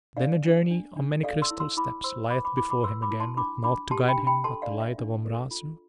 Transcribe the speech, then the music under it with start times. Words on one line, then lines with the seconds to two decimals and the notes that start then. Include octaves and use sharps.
Then a journey of many crystal steps lieth before him again with nought to guide him but the light of Omrazu.
0.16 D4 D5 F5
0.44 D4
0.71 D4
0.97 D4
1.23 A4 D5 F5
1.42 C6 E6
1.51 E4
1.60 C6 E6
1.77 E4 B5 D6
2.04 C5 C6 E6
2.30 B4 B5 D6
2.45 B5 D6
2.57 E4 B5 D6
2.70 B5 D6
2.84 B4 C6 E6
3.02 B5 D6
3.11 E4
3.20 A5 C6
3.37 D4 B5 D6
3.64 D4 B5 D6
3.91 G4 A5 C6
4.08 G5 B5
4.18 D4
4.27 G5 B5
4.44 A4 A5 C6
4.62 D5 F5
4.71 D4
4.80 E5
4.98 D4
5.25 A4
5.51 F4